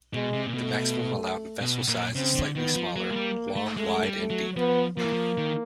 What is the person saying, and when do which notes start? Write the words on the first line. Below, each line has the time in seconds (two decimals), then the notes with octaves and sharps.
The maximum allowed vessel size is slightly smaller: long, wide, and deep.
0.14 B2 G#3
0.33 C3
0.47 A#2
0.54 B2 A3
1.61 B2
1.88 A#2
2.15 C#3 C4
2.35 D3
2.55 D#3 B3
2.76 F3
2.96 F#3 A#3
3.11 G#3
3.16 G3
3.56 A3
3.76 G#3 A3
4.03 G3
4.17 A3
4.30 F#3
4.56 F3 B3
4.97 F3 A#3
5.04 E3
5.13 F3
5.38 D#3